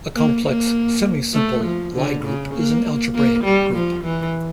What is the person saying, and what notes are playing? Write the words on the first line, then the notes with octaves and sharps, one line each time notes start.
A complex semisimple Lie group is an algebraic group.
A#3
A#3
A3
F3
D3
C#3
A#3
A#3
G3
F3
E3